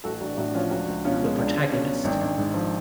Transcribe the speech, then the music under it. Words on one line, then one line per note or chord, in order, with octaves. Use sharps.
The protagonist.
A1 F#4 A4
A1 D4 F#4
A2 D4 F#4
F3 C#4 F4
C#2 D4 F#4
C#2
B2 C#4 F4
G#3
C#2 D4
C#2
B2 C#4
F#3
G#1 D4
G#1
G#2
F3